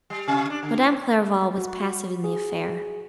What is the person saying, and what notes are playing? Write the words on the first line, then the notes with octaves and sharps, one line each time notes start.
Madame Clairval was passive in the affair.
G3
C3
D4
D3
E4
F#4
G#4